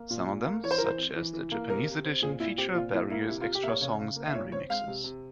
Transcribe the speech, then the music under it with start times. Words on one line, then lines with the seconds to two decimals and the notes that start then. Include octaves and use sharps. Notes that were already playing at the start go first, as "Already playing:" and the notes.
Some of them, such as the Japanese edition, feature various extra songs and remixes.
Already playing: A#3
0.10 A#2
0.28 A#2
0.46 A#3
0.63 E3 C#5
0.71 C5
0.78 E3 A#4
0.86 C5
0.98 C4
1.16 E3
1.33 E3
1.52 A#3
1.69 C3 A#4
1.87 C3
2.04 C4
2.22 A#2 G#4
2.40 A#2 E4
2.58 C4 G4
2.75 A#2 F4
2.93 A#2 E4
3.10 A#3 E4
3.28 C3 E4
3.41 F4
3.45 C3
3.55 G4
3.63 A#3 C#5 E5
3.81 C#3 C#5
3.99 C#3
4.16 A#3
4.27 E5
4.34 A#2 C#5
4.52 C4 C#5
4.70 G#3 F5
4.88 C3
5.04 C3